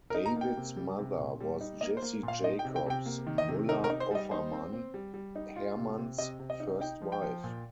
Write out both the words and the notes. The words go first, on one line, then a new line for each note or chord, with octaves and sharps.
David's mother was Jessie Jacobs Muller Offermann, Hermann's first wife.
A#4
D#4
A#5
A#3 G5
C3
G3
C3
A#2
G3
D#4
A#3 D#5
C5
A#3
A#2
F5
D#4 D#5
G5
C3
G5
C3 G5
A#3
D#3
D#5
C3
D#4 A#4
A#4
D#4
C5
G3 D#5
D#4 C5
C4
C4
G3
G3
D#4
F4
C3
C3
C3 D#5
C3
D#5
D#4
D#4 G5
F3
G5
F3
A#2